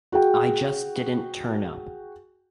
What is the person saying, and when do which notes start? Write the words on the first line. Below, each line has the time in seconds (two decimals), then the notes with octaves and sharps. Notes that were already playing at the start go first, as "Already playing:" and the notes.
I just didn't turn up.
0.12 F#4 G#4 G5